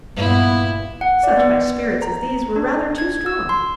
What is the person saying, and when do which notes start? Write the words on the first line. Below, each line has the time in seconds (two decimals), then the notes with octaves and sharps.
Such high spirits as these were rather too strong.
0.16 G2 A#2 B3 E4
1.01 F#5
1.23 D5
1.37 B3
2.02 A#5
2.56 D4
2.98 G#6
3.26 E6
3.49 C6